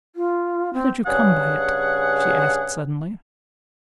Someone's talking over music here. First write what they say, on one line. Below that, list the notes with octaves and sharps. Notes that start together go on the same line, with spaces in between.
"How did you come by it?" she asked, suddenly.
F4
C4
G2 C#3 G#4 F#5